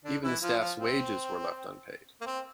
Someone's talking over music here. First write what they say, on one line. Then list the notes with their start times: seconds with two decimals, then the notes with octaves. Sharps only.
Even the staff's wages were left unpaid.
0.05 D3 D4
0.23 E3 E4
0.42 F3 F4
0.60 F3 F4
0.79 C4
2.21 A#3
2.26 C4